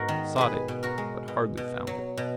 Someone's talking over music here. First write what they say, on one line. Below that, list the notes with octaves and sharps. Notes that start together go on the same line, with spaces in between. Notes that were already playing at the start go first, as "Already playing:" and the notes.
Sought it, but hardly found it.
Already playing: G#2 B3 F#4 A#4
D#3
B2 G#4 B4
B2
F#4 A#4
G#3
B2
B2
F#3
B2